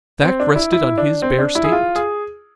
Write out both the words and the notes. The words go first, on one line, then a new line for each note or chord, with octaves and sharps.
The fact rested on his bare statement.
C4
D4
E4
E4
D4
C4
D4
E4
G#4
F4
G#4